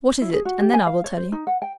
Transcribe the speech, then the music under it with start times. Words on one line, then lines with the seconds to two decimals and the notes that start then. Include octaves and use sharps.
"What is it, and then I will tell you?"
0.22 E4
0.33 G#4
0.45 F#4
0.60 G4
0.74 G#5
0.87 F5
1.04 C#5
1.17 C5
1.32 D#4
1.47 F#5
1.62 G5